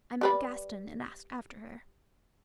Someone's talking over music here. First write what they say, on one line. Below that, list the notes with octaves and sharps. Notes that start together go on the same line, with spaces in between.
I met Gaston and asked after her.
G3 B4 D5